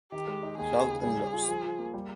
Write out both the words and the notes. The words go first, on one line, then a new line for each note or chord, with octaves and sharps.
Cloud and lost.
D#3 G4
G#3
D#4
D#2 G#4
D#2
C#3
G3 G#4
G3
F4
F3
F3
A#3
G3